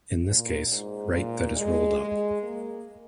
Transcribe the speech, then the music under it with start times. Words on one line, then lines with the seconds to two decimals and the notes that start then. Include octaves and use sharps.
In this case, write that is "rolled up".
0.24 A#2
0.69 G#2
1.12 A#2
1.56 G#3
2.00 G#3
2.43 A#3